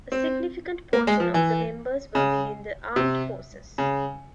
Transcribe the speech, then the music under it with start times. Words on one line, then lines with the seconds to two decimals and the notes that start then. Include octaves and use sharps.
A significant portion of the members were within the armed forces.
0.12 C4
0.93 A#3
1.07 G#3
1.20 F3
1.34 E3
2.15 C#3
2.96 C3
3.78 C#3